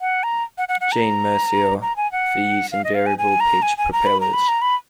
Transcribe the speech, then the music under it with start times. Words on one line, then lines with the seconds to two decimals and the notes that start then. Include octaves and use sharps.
Jean Mercier, for use in variable-pitch propellers.
0.01 F#5
0.23 A#5
0.58 F#5
0.68 F#5
0.81 F#5
0.92 A#5
1.82 A#5
1.96 G#5
2.12 F#5
2.72 F5
2.84 D#5
2.95 F5
3.06 G#5
3.18 G#5
3.40 A#5
3.62 G#5
3.78 G#5
3.93 A#5
4.06 B5
4.20 A#5
4.33 B5
4.48 A#5
4.62 B5